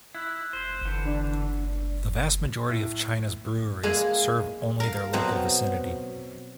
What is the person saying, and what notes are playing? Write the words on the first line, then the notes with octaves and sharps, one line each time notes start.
The vast majority of China's breweries serve only their local vicinity.
E4 F#6
C5
D3 E3
D4
A2
G#3 A#3 E4 G#4
A#4 F5
B2 F#3 B3 C4 C5